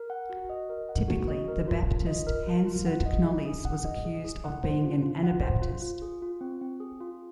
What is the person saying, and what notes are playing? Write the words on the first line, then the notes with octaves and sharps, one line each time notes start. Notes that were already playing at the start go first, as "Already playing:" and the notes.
Typically, the Baptist Hanserd Knollys was accused of being an Anabaptist.
Already playing: A#4
F#5
F#4
D#5
A#4
F#5
F#4
D#5
A#4
F4
F4
D#5
A#4
F4
F4
F#5
D#5
G#4
G#4
F#5
D#5
G#4
G#4
F#5
C5
F4
F4
F#5
C5
F4
F4
G#4
F4
C4
C4
G#4
F4